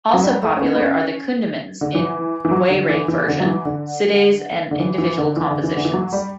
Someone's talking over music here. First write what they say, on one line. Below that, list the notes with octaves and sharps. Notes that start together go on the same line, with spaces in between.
Also popular are the kundimans in Waray version, sidays and individual compositions.
F#3
G3
A3
C#4
B3
B3
C#4
D3
E3
E3
F#3
D3
E3
E3
D3
F#3
E3
D3
D3
E3
E3
D3
E3
D3
E3
D3
E3
F#3
G3